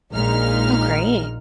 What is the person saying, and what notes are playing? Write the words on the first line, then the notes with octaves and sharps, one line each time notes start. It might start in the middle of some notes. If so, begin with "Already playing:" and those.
Oh, great.
A#1 A#2 G#3 D#4 F6